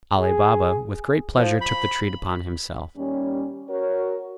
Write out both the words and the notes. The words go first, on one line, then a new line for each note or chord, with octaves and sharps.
Ali Baba with great pleasure took the treat upon himself.
G#4
F3
B5
D#2 G3 C#4
F#4 A#4 C#5